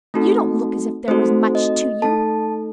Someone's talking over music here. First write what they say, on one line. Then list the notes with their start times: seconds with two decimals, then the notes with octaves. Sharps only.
You don't look as if there was much to you.
0.14 A3 C4 D#4 F#4 A4
1.08 A3 C4 D#4 F#4 A4 C5
1.55 D#5
2.02 A3 D#4 A4 A5